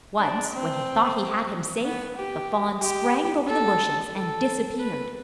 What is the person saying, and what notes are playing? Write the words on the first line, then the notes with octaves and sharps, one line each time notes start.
Once, when he thought he had him safe, the fawn sprang over the bushes and disappeared.
D4
C4
B3
G4
G4
A4
A4
B4